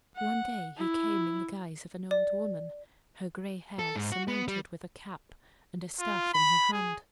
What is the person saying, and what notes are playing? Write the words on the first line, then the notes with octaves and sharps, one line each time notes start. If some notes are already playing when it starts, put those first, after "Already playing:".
One day he came in the guise of an old woman, her gray hair surmounted with a cap, and a staff in her hand.
F#5
E4
D5
A4
G#2
F#4
B3
G3
F4
B5
G#4